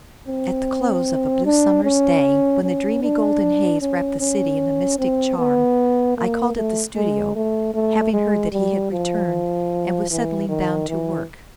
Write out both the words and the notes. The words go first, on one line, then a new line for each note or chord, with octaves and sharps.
At the close of a blue summer's day, when the dreamy, golden haze wrapped the city in a mystic charm, I called at the studio, having heard that he had returned, and was settling down to work.
C4
D4
C#4
C#4
D4
C#4
C#4
C4
B3
A#3
A3
G#3
A3
A3
G#3
G3
F3
E3
D#3
E3